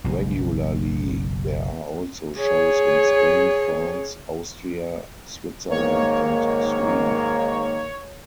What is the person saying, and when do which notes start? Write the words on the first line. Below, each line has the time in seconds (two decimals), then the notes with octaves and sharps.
Regularly there are also shows in Spain, France, Austria, Switzerland and Sweden.
0.04 F#1 B1
2.38 G#4 C#5
5.70 G#2 D#3 A#3 C#5